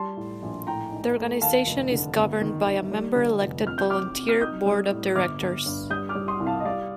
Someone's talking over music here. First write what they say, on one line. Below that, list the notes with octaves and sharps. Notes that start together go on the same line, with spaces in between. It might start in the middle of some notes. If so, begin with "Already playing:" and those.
The organization is governed by a member-elected, volunteer Board of Directors.
Already playing: G3 A5 C6
A2
A#1
A2 G5 A#5
D#4
A3
D#2 F5 A5
F1
D3
G1
D#3
D#3
G3
D3
F1
F2 F6
G6
C3 D6 F6
C3
F6
D#4 D#6 G6
G3
A2
G1 D6 F6
G1
G2
G3 D#6 G6
D6 F6
G3
C6 D#6
C2
F5 A5
D#5
G3 D5 F5